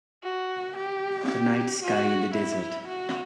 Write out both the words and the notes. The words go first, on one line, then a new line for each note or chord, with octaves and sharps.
The night sky in the desert.
F#4
G4
G4
F#4
E4
F#4